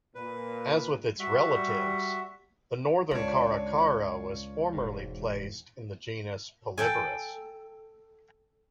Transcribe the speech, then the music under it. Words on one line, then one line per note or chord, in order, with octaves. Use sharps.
As with its relatives, the northern caracara was formerly placed in the genus "Polyborus".
A#2 B4
G3 F#4 E5
C#2 D4 F4 C#5
E1 G#2
A4 G5 G#5